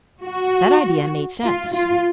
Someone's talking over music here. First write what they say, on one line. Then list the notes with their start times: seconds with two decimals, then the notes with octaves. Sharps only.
That idea made sense.
0.22 F#4
1.44 F4
1.74 F4